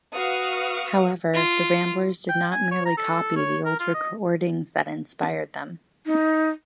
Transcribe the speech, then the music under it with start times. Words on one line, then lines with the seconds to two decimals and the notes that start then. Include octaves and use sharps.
However, the Ramblers did not merely copy the old recordings that inspired them.
0.15 F#4 B4 F5 C#6 D#6 F6
1.33 F4
2.29 G5
2.52 G#5
2.72 C#5
2.86 A#5
2.97 A4
3.37 C#5
3.65 A#4
3.80 F4
3.94 D#5
6.06 D#4